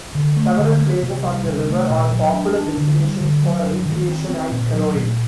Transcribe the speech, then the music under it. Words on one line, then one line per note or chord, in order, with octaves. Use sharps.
Several places on the river are popular destinations for recreation and canoeing.
D3
A3
D3
A#3
C3
G3
C3
A3
A#2
F#3
D4
D4
D3
G3
D3
F#3
G2
D#3
C4
C4
A#2
F#3
A#2